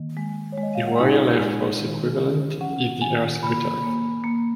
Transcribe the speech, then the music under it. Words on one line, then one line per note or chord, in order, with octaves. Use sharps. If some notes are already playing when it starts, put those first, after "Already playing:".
The Royal Air Force equivalent is the Air Secretary.
Already playing: D#3 A#3
G#3
C#5
G#3
D#5
F5
F#5
D#4 G#5
G#3
D#3
C#4
C#4 F#5
D#3 G#5
A#3 B5
A#3
A#3